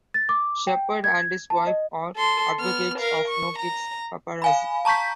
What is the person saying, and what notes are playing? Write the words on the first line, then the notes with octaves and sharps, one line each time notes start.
Shepard and his wife are advocates of no-kids paparazzi.
A6
D6
G5
G#6
A5
D#5
A4 C6
B3 F6
A#4 F5
C#6
A#5
F5 G#5 B5
A5 A#5 C#6 G6 B6